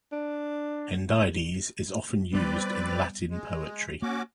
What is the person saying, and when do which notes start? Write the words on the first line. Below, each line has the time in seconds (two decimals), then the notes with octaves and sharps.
Hendiadys is often used in Latin poetry.
0.12 D4
2.33 G3 B3 C4 B4 D5
3.31 G#3
4.02 A#3 C#4 F#4 D6